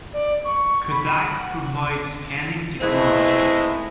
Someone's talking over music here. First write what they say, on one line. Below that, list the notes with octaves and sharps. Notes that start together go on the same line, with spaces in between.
Kodak provides scanning technology.
D5
C#6
B5
F#5
E3 G#3 A3 B3 C4 D#4